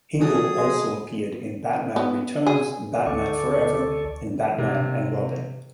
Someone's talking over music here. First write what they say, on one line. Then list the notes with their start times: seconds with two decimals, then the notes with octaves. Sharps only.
Hingle also appeared in "Batman Returns", "Batman Forever", and "Batman and Robin".
0.21 B2 F#3 G#4 A4 D#6
0.58 G#3
1.96 B3
2.47 G#4
3.06 D2 A4 D5 C#6
4.58 C3